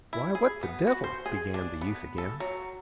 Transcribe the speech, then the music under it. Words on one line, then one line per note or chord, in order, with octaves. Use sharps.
"Why, what the devil--" began the youth again.
E4
G#4
B3
F#4
C5
G#4
D4
B3
A4
F#3